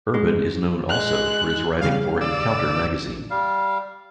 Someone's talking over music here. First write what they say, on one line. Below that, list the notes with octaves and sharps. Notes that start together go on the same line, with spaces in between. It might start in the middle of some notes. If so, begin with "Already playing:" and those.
Urban is known also for his writing for "Encounter" magazine.
G#3
G#3 F#6
C#3 G3 F5
D5 E6
G3 F5